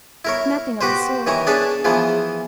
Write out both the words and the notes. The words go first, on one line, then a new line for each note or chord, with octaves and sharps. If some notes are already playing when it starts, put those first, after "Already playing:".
Nothing of the sort!
E4 A#4 C#5
F#4 G4 B4 C5
D#3 E3 C#5 A#5
D4 G#4 B4 C#5 A5
E3 F3 B3 G#4